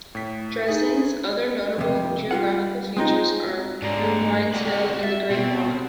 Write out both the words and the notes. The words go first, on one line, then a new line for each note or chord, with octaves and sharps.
Dresden's other notable geographical features are Blinn's Hill and The Great Bog.
A2 B6
D#4 G#4
F2 C3
G3 F4 F#5
G#3 C4 D#4 F4
G#2 D4 G4 D5 A#5
A3 G#4 A4
C4 F#4 G4 D5
E5 A6
B2 C4